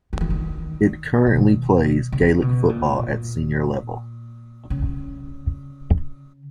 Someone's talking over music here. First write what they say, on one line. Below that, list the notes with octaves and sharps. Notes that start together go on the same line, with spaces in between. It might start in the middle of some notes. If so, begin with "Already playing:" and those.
It currently plays Gaelic football at Senior level.
D#3
E3
D#3
B2
C#3
B2
A#2
A#2
C#3